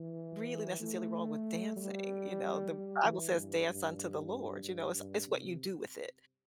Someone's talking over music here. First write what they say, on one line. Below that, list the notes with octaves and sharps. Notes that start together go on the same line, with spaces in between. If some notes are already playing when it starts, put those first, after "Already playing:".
really necessarily wrong with dancing, you know? The Bible says dance unto the Lord, you know? It's it's what you do with it,
Already playing: E3
A3
G3
G3
E3
G2
G2
G2
G2
C3